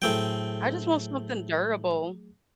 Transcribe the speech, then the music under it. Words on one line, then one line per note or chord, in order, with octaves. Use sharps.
I just want something durable.
A2 F#3 A3 C4 G#4 G5